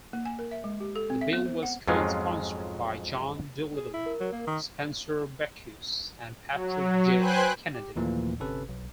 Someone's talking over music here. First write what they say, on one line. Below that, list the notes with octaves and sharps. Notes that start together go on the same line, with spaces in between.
The bill was co-sponsored by John Doolittle, Spencer Bachus and Patrick J. Kennedy.
A#3
G#5
A#4
E5
G#3
G4
A4
C4
E5
B3
C5
F#5
F2 G#2 F#3 G#3 C#4 F4
G#4
E4
A#4
F#3
A#3
D#3
F#3
B4 C5 G5 G#5 F#6
G4
D#2 A#2 E3 F3 A3 A#3
G1 C3 C#4 A4 B4
B1